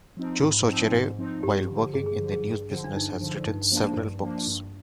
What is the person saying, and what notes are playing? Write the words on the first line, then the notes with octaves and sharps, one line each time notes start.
Joe Soucheray, while working in the news business, has written several books.
F3 C4 D#4
G#2 F4
F3 C4 D#4
G#2
F3 C4 D#4
G2 G4
D3 F3
G2 G#4
G#4
D3 F3
G#4
G2
D3 F3
D4
G2 D#4
D3 F3
G2 D#4
F3 A#3 D4
G2
F3 A#3 D4
G2